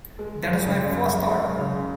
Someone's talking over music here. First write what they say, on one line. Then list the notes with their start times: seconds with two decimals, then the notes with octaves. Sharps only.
That was my first thought.
0.19 G#3
0.43 F#2
0.66 C#3
0.89 F#2
1.12 G#3
1.35 F#2
1.59 C#3